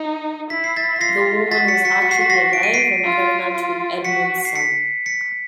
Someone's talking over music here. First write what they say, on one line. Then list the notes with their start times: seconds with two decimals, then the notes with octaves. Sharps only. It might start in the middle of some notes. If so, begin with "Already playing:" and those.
The woman was actually alive and pregnant with Edmund's son.
Already playing: D#4
0.50 E4 B6
0.64 C7
0.76 A6 B6
0.96 B6
1.01 F4 A#6 C7
1.51 F#4 A6 B6
1.68 B6 C#7
1.85 B6 C#7
2.02 C#7
2.11 C7
2.21 B6
2.30 A#6 C7
2.53 D7
2.63 D#7
2.74 C7 D7
3.04 F4
3.54 F4
4.05 F#4 B6 C#7
4.45 C7
4.55 B6 C#7
5.06 B6 C#7